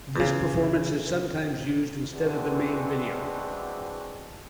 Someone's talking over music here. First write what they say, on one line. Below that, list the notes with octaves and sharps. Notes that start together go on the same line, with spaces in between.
This performance is sometimes used instead of the main video.
E2 C#3
E3 G#3 C4 D4 F#4